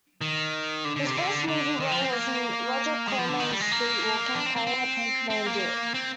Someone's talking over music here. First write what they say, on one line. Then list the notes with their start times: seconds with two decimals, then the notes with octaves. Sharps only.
His first movie role was in Roger Corman's "Streetwalkin"' playing a pimp named Duke.
0.21 D#3
0.85 D3
0.96 D3
1.07 C3
1.17 D3
1.48 D3
1.80 D#3
1.92 F3
2.02 C4
2.12 A#3
3.08 G#3
3.19 F3
3.29 D3
3.40 D#3
3.50 G3
3.60 G#3
3.72 A#3
4.35 D4
4.46 C4
4.56 C4
4.67 C4
5.30 C4
5.46 A#3
5.94 C4